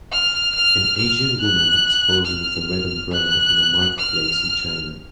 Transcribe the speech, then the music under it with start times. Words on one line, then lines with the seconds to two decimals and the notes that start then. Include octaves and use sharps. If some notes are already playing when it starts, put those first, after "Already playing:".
An Asian woman is posing with a red umbrella in a marketplace in China.
0.12 F6
0.55 F6
0.97 F6
1.40 F#6
2.26 F6
3.12 F#6
3.98 F6